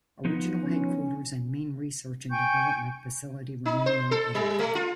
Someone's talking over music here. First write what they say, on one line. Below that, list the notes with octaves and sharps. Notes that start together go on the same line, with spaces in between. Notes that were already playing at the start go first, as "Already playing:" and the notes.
Original headquarters and main research and development facility remain in Italy.
F3 B3 D#4
C#4
G5 G#5 C#6 G6
D#4
C5
A4
G3
A3
F4